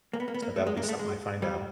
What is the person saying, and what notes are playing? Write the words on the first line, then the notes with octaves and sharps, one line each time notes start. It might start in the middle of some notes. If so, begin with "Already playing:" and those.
So, that'll be something I find out.
A#3
B3
A#3
B3
A#3
A3
G#3
A#3
G#3
A3
G#3
G3